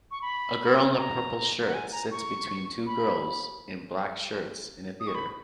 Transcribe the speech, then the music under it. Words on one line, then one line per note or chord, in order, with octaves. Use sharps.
A girl in a purple shirt sits between two girls in black shirts in a theater.
C#6
B5
A#5
F#5
G#5
A#5
C#6
B5
D#6
C#6
B5